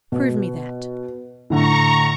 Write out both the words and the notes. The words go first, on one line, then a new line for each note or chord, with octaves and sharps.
"Prove me that."
B2
A2 D3 A#5 C#6